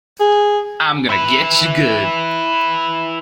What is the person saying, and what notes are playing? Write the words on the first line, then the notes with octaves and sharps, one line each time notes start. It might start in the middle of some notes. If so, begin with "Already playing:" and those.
I'm Gonna Getcha Good!
G#4
E4 B4